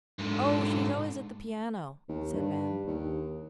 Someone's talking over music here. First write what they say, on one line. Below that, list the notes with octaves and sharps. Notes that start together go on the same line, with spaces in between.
"Oh, she's always at the piano," said Van.
G#2 D3
D#2
G2
D#2